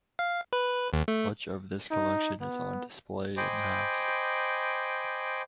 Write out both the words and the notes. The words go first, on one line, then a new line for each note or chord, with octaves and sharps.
Much of this collection is on display in the house.
F5
B4
D#2
A3
D#4
B3
C5 D#5 G5 G#5 B5 D6